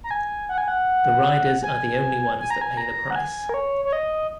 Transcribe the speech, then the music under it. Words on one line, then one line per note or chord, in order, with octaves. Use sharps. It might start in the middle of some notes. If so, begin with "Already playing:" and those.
The riders are the only ones that pay the price.
A#5
G#5
F#5
G#5
F#5
G#5
G#5
A#5
G#5
A#5
F#5
G#5
A#4
C#5
C#5
D#5